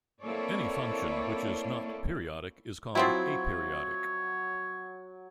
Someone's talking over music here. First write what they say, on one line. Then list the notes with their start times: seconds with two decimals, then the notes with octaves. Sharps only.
Any function which is not periodic is called aperiodic.
0.22 A#3 C4 E4 A4 C#5 D5
2.95 F3 F#3 C4 E4 C#5